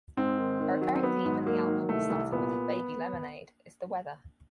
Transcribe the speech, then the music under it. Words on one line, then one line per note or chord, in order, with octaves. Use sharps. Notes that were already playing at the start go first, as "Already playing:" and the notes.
A recurring theme in the album, starting with "Baby Lemonade", is the weather.
G#2 C4
D#3
D#3
F#3
C4
F#3 B3
G#2
F#3 A#3
D#3
C2 A3
C2
A#2 B3